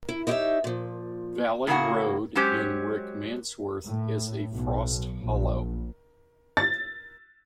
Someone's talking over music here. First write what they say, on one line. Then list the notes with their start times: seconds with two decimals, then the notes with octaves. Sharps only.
Valley Road in Rickmansworth has a frost hollow.
0.09 E4
0.27 D#4 E4 G4 A#4 C#5 E5
0.64 A#2 F3
1.67 A2 C#3 A#3 B3 F#4 F#5
2.35 F#3 G#3 C#4 G4 C5
3.86 A2
4.53 B1
5.21 A#1
6.57 A6